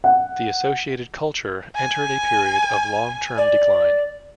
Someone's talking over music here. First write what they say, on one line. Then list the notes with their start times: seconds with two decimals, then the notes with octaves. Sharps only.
The associated culture entered a period of long-term decline.
0.04 F#5
1.75 G#5
3.38 D5